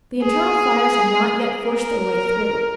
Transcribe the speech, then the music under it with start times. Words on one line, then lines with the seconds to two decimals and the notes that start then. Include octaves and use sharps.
The internal fires had not yet forced their way through.
0.23 G#4
1.64 A#4